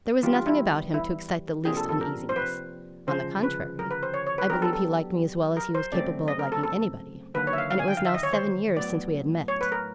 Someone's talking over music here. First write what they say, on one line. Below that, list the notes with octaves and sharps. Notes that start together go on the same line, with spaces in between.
There was nothing about him to excite the least uneasiness; on the contrary, I believe he liked me as well as he was capable of liking anybody, and it was now seven years since we had met.
E3 G3 B3 D4 F4 G4
F4
E4
E4
C3 F3 A#3 D4 G4 G#4
A4
A4
A#4
C5
B4
D2 C#3 F3 G#3 C5
B4
A#4
B4
C5
C#5
C#5
B4
F#3 B3 D4 G4 A#4
A4
A4
A#4
C5
C#3 F#3 A3 C4 D5
D#5
A#4
A4
A4
D#2 D3 F#3 A#3 D#4 B4
C#5
E5
F5
F5
G#5
G5
F5
E5
D#5
C#5
C5
A2 F#3 B3 D5
C#5
B4
A#4